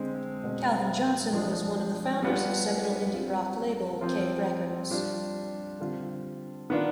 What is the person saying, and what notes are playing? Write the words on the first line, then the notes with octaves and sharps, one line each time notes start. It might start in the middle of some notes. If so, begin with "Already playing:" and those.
Calvin Johnson was one of the founders of seminal indie-rock label K Records.
Already playing: D3 G#3 C4
B2 G#3 C4
F3 G#3 D4 F4
G3 B3 D4 F4
G3 C4 F4
F3 C4 F4
G3 D4 F4
D3 G3 C4 F4
D#3 B3 D4 F4